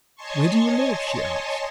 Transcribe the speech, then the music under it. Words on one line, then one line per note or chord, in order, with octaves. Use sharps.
"Where do you live?" she asked.
C#5 D#5 G#5 A5 C6 C#6